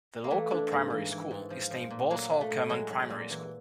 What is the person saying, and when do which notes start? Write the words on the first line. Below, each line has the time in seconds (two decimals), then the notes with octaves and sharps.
The local primary school is named Balsall Common Primary School.
0.24 A#3
0.30 E3 A3
0.50 E3 D4
0.71 G#2 A#3
0.90 E3
1.11 E3
1.31 G#2
1.50 F3
1.71 F3
1.91 A#2
2.11 F#3 A#3
2.30 F#3
2.41 A3
2.51 A2
2.70 F#3 G#3
2.90 F#3
3.10 A#2
3.30 E3